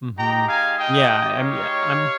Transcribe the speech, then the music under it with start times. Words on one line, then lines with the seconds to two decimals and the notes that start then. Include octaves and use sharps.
Mhm. Yeah, um, yeah, um
0.17 G#3 D#4 G4 G5 A#5
0.47 F5 G#5
0.77 D#5 G5
1.36 C#5 F5